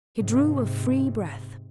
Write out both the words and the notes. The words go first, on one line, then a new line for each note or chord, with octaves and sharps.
He drew a free breath.
G#2 C3